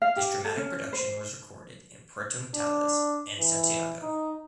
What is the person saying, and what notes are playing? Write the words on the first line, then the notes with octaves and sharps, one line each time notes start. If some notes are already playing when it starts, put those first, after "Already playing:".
This dramatic production was recorded in Puerto Natales and Santiago.
F5
G4
A4
C#4
C5
D4
E3
D#4